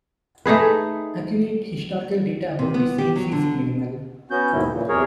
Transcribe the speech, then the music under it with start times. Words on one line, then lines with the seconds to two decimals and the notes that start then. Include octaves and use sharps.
Accurate historical data about the saints is minimal.
0.46 A3 D#4 G#4 B4
2.59 C3
2.74 B3
2.98 G4
3.16 F#3
3.32 D3
4.31 B3 C#4 F#4 G6
4.52 D#2 G#2 B2 D#3 F#3 E4
4.72 A#2 C#3 E3
4.89 E2 C3 F#3 G#4 A#4 C#5